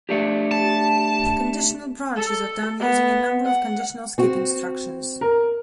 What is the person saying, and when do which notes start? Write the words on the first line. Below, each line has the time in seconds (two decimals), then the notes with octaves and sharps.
Conditional branches are done using a number of conditional skip instructions.
0.09 A3 D4 G4
0.52 A5
2.16 A4
2.80 B3
3.45 F#5
4.18 C4 F#4
5.21 A#4